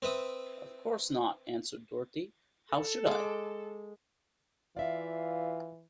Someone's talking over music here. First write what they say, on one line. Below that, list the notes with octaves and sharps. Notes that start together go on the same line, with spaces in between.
"Of course not," answered Dorothy; "how should I?"
C4 B4 E5 D#6
A4
G#3 D6
E3 F4 D5 E5 F5